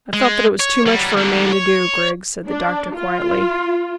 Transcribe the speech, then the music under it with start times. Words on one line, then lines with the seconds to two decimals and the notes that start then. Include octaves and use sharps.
"I felt that it was too much for a man to do, Griggs," said the doctor quietly.
0.13 G#3
0.60 C#5
0.86 F#3 G3
1.17 G#2 D3
1.52 C#5
2.48 D4
2.95 F4